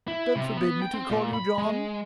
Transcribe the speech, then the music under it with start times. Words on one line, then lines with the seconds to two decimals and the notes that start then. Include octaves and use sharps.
Don't forbid me to call you John.
0.08 E4
0.36 C3
0.57 B3
0.82 G5
0.94 C4
1.09 A#2
1.34 B5
1.58 G#3